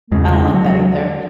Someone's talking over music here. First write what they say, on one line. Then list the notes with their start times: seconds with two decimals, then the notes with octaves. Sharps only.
I don't like that either.
0.12 E2 C#3 G#3
0.33 G#3
0.54 F#3
0.65 F#3